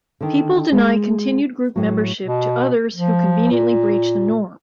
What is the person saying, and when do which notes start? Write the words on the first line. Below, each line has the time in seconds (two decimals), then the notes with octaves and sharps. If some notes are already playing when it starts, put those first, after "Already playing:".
People deny continued group membership to others who conveniently breach the norm.
0.21 D3 D#3
0.72 G#3
1.76 A2 F#3
2.25 B2
2.96 F3
3.51 A#2